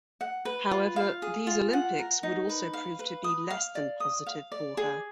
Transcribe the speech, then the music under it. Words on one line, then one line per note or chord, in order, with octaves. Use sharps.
However, these Olympics would also prove to be less than positive for her.
F#5
B4
F4
F5
G#4
F4
F#5
A#4
D#4
B4
F5
B4
D#6
F5
D5
D#6
F5
D5
G#4